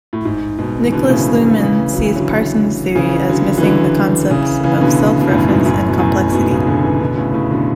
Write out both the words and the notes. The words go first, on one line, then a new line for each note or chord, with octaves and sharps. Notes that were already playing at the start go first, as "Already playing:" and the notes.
Niklas Luhmann sees Parsons’ theory as missing the concepts of self-reference and complexity.
A2
G#2
G#2 B2
E3
B2 D3
A2 C#3
D3 F#3
C#3 E3
F#3
E3
D3 F#3
C#3 E3
D3 F#3
E3
D3 F#3
C#3 E3
C#3 E3
B2 D3
B2
F#2 A2
G#2 B2
F#2 A2
B2
F#2 A2
G#2 B2
A2 C#3
B2 D3
C#3 E3
B2 D3
A2 C#3
A2 C#3
B2 D3